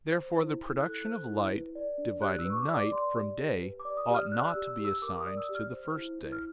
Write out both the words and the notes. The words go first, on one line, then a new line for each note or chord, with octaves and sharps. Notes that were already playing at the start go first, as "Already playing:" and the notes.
Therefore the production of light, dividing night from day, ought not to be assigned to the first day.
C5
E4
E4
A4 F#6
C5
E4
B4
D5
D4
G4 F#6
E6
B4
C#6
D6
D5
D6
D5 C6
G4
G4
B4
D6
D5
D#6
G4
F6
D5 F#6
E6
G4
E6
G4
E6
A#4 D6
D#6
D5
E6
G4
F6
C5
E4
E4
F6